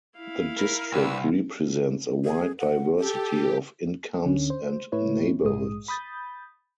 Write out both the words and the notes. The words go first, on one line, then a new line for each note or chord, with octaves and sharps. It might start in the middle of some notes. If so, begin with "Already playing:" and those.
The district represents a wide diversity of incomes and neighborhoods.
E4 F5
A#4 B5
C2 D4 B4 E6
G#4
F#5
G4 A4
D2 D3 C#4
C5
A2 A3 E4 B4 C#5
A#1 G#2 G#3 D#6
B5 D#6 G6 A6